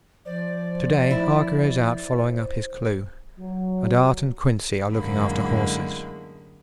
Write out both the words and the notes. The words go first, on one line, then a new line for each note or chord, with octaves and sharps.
To-day Harker is out following up his clue, and Art and Quincey are looking after horses.
F3 C5 D5
E4
F#3
F#2 A2 D3 G#3 A#3 B5